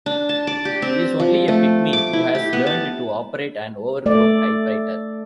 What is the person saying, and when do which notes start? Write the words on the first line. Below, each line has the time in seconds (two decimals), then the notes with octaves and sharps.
He's only a pygmy who has learned to operate an overgrown typewriter.
0.06 D4
0.29 A5
0.47 D5
0.65 G4
0.82 C4
1.20 F3
1.48 A3
1.93 D6
2.13 E4
2.35 G4
2.53 B3
2.67 A5
4.06 A3 D5